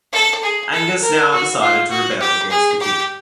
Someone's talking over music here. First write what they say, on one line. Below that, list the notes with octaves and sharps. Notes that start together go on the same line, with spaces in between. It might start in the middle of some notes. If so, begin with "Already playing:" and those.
Angus now decided to rebel against the king.
A4
G#4
A4
A#4
F#4
F4
F#4
G4
G#4
G4